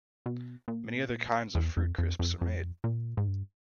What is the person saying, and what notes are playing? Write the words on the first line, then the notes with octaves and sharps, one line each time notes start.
Many other kinds of fruit crisps are made.
B2
A#2
E2
F2
F2
F2
F2
A#2
G#2
G2